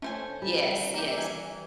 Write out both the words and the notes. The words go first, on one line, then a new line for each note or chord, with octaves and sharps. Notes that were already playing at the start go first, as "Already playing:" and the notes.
Yes, yes.
A3 C#4 C5 G#5
G3
E3 A#3 G4
G#5